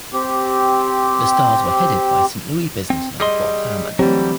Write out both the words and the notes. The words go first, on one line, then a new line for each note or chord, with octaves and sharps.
The Stars were headed by Saint Louis businessman Bob Hermann.
C4 G4
C4
G3 G#4 D#5 C6
D3 E3 F#3 G3 A3 C4 G4